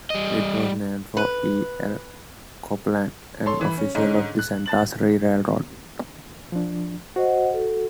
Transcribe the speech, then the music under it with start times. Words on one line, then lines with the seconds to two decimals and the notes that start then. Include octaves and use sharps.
It was named for E. L. Copeland, an official of the Santa Fe Railroad.
0.10 G3 D#5
1.17 B4
3.46 A4 C#5 C6
3.61 E3 B5
3.77 C#4
3.95 G#2 D3 C#4 D#4
4.39 F#6
4.66 A5 A6 F#7
6.52 F3 D4
7.16 F#4 C5 D#5 F#5
7.53 A4